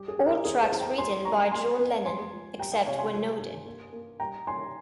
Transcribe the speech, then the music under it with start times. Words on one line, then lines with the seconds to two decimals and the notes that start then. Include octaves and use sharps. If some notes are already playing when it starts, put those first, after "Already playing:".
All tracks written by John Lennon, except where noted.
Already playing: G3 G4
0.08 G#4
0.17 G3
0.26 G4 A#4
0.44 E2 G#4 C5
0.62 G#4 C5
0.72 E2
0.80 G5 A#5
0.98 G3 G#5 C6
1.25 A#3 A#5 C#6
1.52 A#3 G#5 C6
1.79 F2
2.05 G#3 G#5 C6
2.32 F3
2.59 G3 G5 A#5
2.72 E5 G5
2.86 C3 C#5 F5
2.99 G#5 C6
3.13 F3
3.39 G2
3.66 A#3
3.93 A#3
4.20 G3 G5 A#5
4.47 G3 G#5 C6